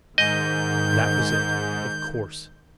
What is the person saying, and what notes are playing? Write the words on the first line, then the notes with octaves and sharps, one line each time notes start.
That was it, of course.
G#2 D#3 D#5 G6